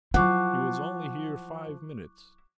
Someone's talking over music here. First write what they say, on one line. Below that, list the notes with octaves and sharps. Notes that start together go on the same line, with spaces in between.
He was only here five minutes.
F3 F#3 E4 F#5 C#6 D6 F#6